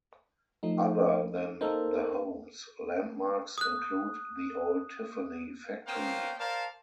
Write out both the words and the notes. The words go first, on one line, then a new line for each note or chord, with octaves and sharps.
Other than the homes, landmarks include the old Tiffany factory.
F3 A3 D#4
A#3 D#4 A4 A#4 C5
D#6 F#6
A#3 B3 C#4 C5 F5 G5
A#4 C5 D5 F5 A5